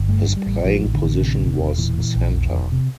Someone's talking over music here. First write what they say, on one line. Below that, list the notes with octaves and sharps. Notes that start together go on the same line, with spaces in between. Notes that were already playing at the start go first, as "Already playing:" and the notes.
His playing position was centre.
Already playing: G1
G2 A3
G2
G3
A1
A1 F3
A1
D3
A1
C3
E1
E1
A#2 E3
A#2
A#1
E2
E1
C3